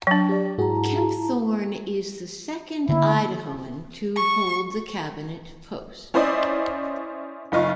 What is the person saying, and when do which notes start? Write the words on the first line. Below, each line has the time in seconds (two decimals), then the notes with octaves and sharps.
Kempthorne is the second Idahoan to hold the Cabinet post.
0.07 F#3 D4 G5
0.29 G4 D5
0.58 G#2 E4 F#4 G#4 A5 A#5
2.89 D3 A#3 E4
4.16 C#6
6.14 C#4 E4 C5 D5 D#5
7.52 F#1 D#4 F4 C#6